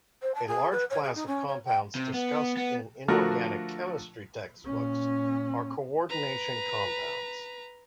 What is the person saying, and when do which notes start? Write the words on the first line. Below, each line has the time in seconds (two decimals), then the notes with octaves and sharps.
A large class of compounds discussed in inorganic chemistry textbooks are coordination compounds.
0.21 C5
0.34 A5
0.46 G#4
0.71 B4
0.89 C#5
1.03 G#4
1.15 D#4
1.26 C#4
1.47 C#5
1.65 G5
1.95 C3
2.13 B3
2.57 B3
3.08 D3 F3 A3 F#4 A#4
4.65 A#2 C#4
6.09 B4 A#5